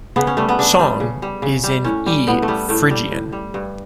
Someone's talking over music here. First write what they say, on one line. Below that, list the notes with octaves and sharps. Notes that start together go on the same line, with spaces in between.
"Song" is in E phrygian.
C#3 B3
C#4
G3 A3
B3
C#3 D4
G3
C#3
G3
C#3
G3
A2 C#4
G3
A2 B3
A3
G3 B3
A2 A3
G3
A2
G3
G2